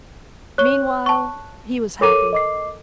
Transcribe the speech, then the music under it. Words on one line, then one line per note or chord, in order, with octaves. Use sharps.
Meanwhile he was happy.
C#5 C#6 F#6 G7
A5 C#6
A4 A#4 C#5 D6 D#7
D#5 D6 C7